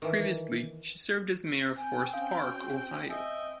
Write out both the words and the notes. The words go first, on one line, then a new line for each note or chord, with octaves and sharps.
Previously, she served as mayor of Forest Park, Ohio.
D#3 E3
C4 G5 G#5
C#4 F5 G#5 D#6
F#4
D#5 E5 G#5